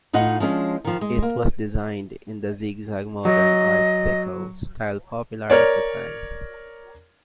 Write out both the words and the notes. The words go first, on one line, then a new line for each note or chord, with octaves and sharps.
It was designed in the Zigzag Moderne Art Deco style popular at the time.
A2 D#4 F4 D#5 F#5
F3 G#3 C#4 D4
D#3 F3
G#3
A#3
F#3 D#5
A#4 C#5 D5